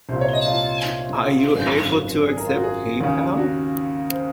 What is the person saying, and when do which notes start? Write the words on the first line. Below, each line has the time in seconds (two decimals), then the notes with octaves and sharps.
Are you able to accept Paypal?
0.09 C2 C5
0.13 A#2
0.21 C#5
0.33 D#5
0.46 F4
1.18 F4
1.54 G#1 F#2 C#3 F4
1.92 F#4
2.27 G#4
2.37 A#4
2.46 F4
2.55 F#4
2.64 G#4
3.01 D#2 C#3
3.37 F#4
4.10 C5